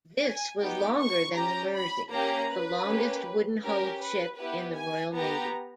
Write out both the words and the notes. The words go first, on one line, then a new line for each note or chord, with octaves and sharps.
This was longer than the "Mersey", the longest wooden-hulled ship in the Royal Navy.
G#5
B3 D#4 G4 G5
C#6
C#4 G4 A#5
B5
A#3 C#4 G4 A#5
B4
A#3 C#4 G4
C#4 G4 A#4
B4
B3 E4 G4 B4
G#5
B3 G4 A#5